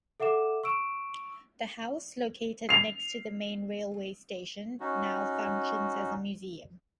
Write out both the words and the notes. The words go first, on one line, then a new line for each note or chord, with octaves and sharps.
The house, located next to the main railway station, now functions as a museum.
A4 E5 F#5 D6 E7
C#6 E6 D7 E7
C7 F7
C#4 D#4 F#4